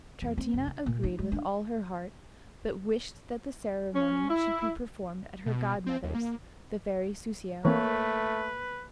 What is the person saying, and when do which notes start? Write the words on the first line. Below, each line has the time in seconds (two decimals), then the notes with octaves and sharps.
Troutina agreed with all her heart, but wished that the ceremony should be performed at her godmother's, the fairy Soussio.
0.22 E2
0.38 C4
0.54 F1
0.67 D#3
0.86 A#2
1.03 D#4
1.19 G#3
1.32 D4
3.94 C#4
4.29 E4
5.46 B2
5.86 C4
6.04 D#2
6.15 A#3
7.65 E3 A3 A#3 C4 B4 C#5